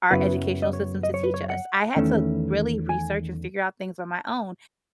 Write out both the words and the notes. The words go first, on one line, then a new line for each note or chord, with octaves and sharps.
our educational system to teach us. I had to really research and figure out things on my own,
F#2 C#3 F#3 B3 E4 B4
D#5
C#5
D#5
C#5
B4
C#5
F#5
E2 D#3 A3 C#4 E4
G#5